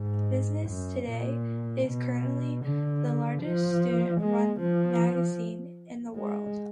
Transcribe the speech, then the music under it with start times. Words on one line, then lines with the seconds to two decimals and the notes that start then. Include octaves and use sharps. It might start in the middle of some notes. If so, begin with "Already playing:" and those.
"Business Today" is currently the largest student-run magazine in the world.
Already playing: G#2
0.69 F#2
1.09 A#2
1.86 B2
2.65 D3
3.43 F3
4.21 G#3
4.60 F3
6.16 G#3